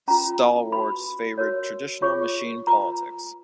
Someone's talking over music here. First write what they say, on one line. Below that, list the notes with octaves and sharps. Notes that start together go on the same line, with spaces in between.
Stalwarts favored traditional machine politics.
C#4 F4 B4 A#5
F#4 B4 B5
F#4 A#4 C#5
F4 G#4 C#5 C#6
F4 B4 A#5